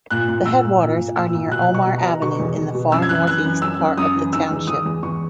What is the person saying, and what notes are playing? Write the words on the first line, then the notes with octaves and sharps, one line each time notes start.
The headwaters are near Omar Avenue in the far northeast part of the township.
A#2 F#6
A#2
A#2 E6
A#2
A#2
A#2
A#2 E6
A#2
B2 F#6
B2
C#6
B2
A#5
B2
B2 C#6
E2
B2
B2
F#2 E6
G#6
E3 F#6
E3 F#6
F#2
F#2 E6
F#2
F#2 D#6
E3
D#3 E6
E2
E2 D#6
E2
E2 C#6